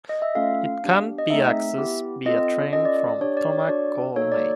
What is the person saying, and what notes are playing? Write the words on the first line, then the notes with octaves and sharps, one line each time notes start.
It can be accessed via train from Tomakomai.
D#5
E5
A3 C#4 F4 A4 F5
B3 D4 G4
D#5
A3 C4 D#4 G#4 E5
B3 E4 G4
C4 F4 A4 D#5
C#4 F4 A4 D#5
D5
D5
D5
D4 G4 C#5
D5
C#5
D4 F#4 A4 D5
A#3 D#4 F#4 A4 C#5
D5